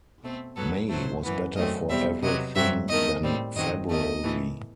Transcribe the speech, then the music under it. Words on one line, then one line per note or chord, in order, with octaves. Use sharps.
May was better for everything than February.
B2 A3 C4
G2 F#3 B3 A4
A2 F#3 A3 C5
F#2 E3 B3
F#2 F#3 A3 C4 D#5
E2 B2 G3 C4 E5
C3 F#3 B3 D#5
G2 F#3 C4 E5
E2 D#3 A3 D#5
A2 G3 C4
F#2 D#3 F#3 C4 D#5
E2 D#3 A3 D#5
A2 E3 A3